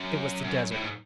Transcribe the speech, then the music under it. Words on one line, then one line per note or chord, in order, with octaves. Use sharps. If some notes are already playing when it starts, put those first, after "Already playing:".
It was the Desert!
Already playing: F#2
F#2
A2
G#2